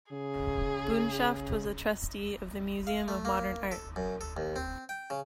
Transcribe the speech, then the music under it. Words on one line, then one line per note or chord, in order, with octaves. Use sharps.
Bunshaft was a trustee of the Museum of Modern Art.
C#3 G#4
F5
A3
A#3
A4
F#2
A4
D#2
C4
G5
C#3